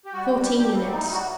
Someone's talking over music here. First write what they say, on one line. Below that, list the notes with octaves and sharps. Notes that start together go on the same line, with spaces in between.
Fourteen minutes.
G4
G3 F#4
G2 G4
G4
G2
G4
G3 C4
A2 D#4
G3 F#4